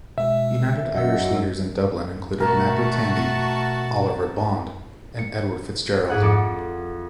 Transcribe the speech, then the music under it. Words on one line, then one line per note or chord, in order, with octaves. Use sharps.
United Irish leaders in Dublin included Napper Tandy, Oliver Bond and Edward Fitzgerald.
B2 G#3 E5
F#2 D#5 F#5 E6
B2 A3 F#4 A#4 A5
C#7
G#2 E4 G#4 F#5
F2 A4 D6 C#7